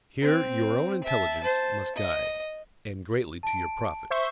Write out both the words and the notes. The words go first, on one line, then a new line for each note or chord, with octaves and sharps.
Here your own intelligence must guide--and greatly to your profit.
C4
E5 A5
C5 A5
D#5
A5 D7
C5 E5 C#6